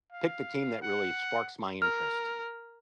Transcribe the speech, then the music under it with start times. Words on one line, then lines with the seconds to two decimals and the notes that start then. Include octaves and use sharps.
pick the team that really sparks my interest."
0.12 F5
0.82 F#5
1.82 A#4 F6